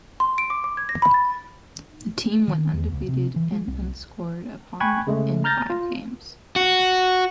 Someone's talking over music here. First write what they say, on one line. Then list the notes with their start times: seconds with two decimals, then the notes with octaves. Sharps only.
The team went undefeated and unscored upon in five games.
0.20 C6
0.38 D7
0.50 D6
0.64 D6
0.77 G#6
0.89 A#6
1.02 B5
1.14 A6
2.48 D#3
2.73 E2
2.92 C#2
3.08 C3
3.36 E3
3.52 G#3
3.67 C2
4.80 G5 G#5 B5 C#6 F#6 G#6
5.07 C#3 G#3 A3
5.44 A#5 F6 G6 A6 A#6
5.70 F4
6.56 F#4